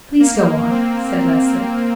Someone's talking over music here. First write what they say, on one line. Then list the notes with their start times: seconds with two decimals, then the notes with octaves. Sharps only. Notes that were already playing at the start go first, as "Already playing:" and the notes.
"Please, go on," said Leslie.
0.20 A#3
0.70 C4